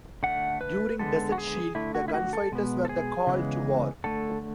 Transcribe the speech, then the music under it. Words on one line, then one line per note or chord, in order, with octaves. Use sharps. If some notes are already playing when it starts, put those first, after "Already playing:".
During Desert Shield the Gunfighters were the called to war.
D3 A3 F#5
B4
D3 G#3 B3 A4
F#4
G#4
D3 A3 E4
F#4
E4
F#4
A4
B2 G#3 B3
A4
G#4
C#3 E3 G#3 B3
D3 A3 A4